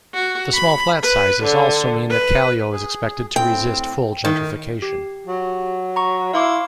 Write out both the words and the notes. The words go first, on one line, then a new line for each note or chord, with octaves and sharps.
The small flat sizes also mean that Kallio is expected to resist full gentrification.
F#4
B5
B4
D3
B4
G#4
A2 C4 G5
A2 D#3
G4
F#3
A#5 C#6
E4 F5 C6 D6